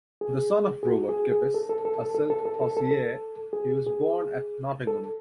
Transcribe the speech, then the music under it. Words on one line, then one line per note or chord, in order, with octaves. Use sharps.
The son of Robert Kippis, a silk-hosier, he was born at Nottingham.
G#4
G#4
F#4
G#4
G#4
A4
A4
A4
A4
A4
A4
A4
A4
A4
A4
G#4
G#4
A4